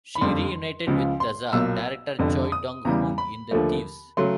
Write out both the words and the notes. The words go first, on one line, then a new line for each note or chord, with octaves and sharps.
She reunited with "Tazza" director Choi Dong-hoon in "The Thieves".
B5
F#1 F2 D3 G3 C6
C#2 C#3 F3
C6
B1 A#2 F#3 E6
F1 F2 D3
D#6
E2 C#3 E3 G3 A#5
B5
D#2 D3 F3 A3
C#3 F#3 A3 C6